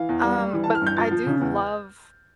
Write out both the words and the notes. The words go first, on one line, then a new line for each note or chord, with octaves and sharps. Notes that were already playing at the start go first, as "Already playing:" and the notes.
Um, but I do love
Already playing: E3 F5
E2
G3
G3
E3
A5
E3
F6
G2 G6
F3 A6
F3
C#3
E2